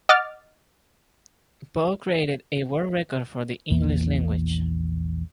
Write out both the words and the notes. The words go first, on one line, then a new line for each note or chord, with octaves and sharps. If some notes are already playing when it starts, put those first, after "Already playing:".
Poe created a world record for the English language.
D#5 F#5 D6 F6 A6
A#1 E2 E3 A#3